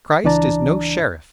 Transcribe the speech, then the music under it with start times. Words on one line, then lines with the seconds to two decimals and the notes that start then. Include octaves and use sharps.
Christ is no sheriff.
0.24 C#2 E3 D4 D5 A5 A#5